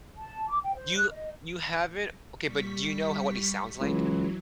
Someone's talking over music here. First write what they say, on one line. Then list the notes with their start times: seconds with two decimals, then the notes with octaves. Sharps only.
You you haven't? Okay, but do you know how what he sounds like?
0.17 A5
0.49 D6
0.62 G5
0.75 C5
0.97 F#6
1.10 D#5
2.44 G3 C#6 B6
3.80 C#2 E3 F#3